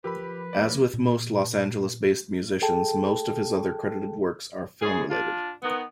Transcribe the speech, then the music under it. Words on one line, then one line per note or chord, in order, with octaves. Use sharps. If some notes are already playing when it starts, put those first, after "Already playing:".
As with most Los Angeles-based musicians, much of his other credited works are film-related.
F3 F4 G4 A#4 B4 B5
F1 A#3 F#4 D5
A#2
G#4 A4 G5 A5
F#2 G#4
D4 F4
D#3 B3